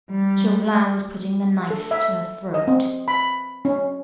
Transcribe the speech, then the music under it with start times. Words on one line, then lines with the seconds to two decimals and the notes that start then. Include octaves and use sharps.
Chauvelin was putting the knife to her throat.
0.10 G3
1.70 A4
1.91 E5
2.54 D#5
2.68 C4
3.08 B5
3.65 C#4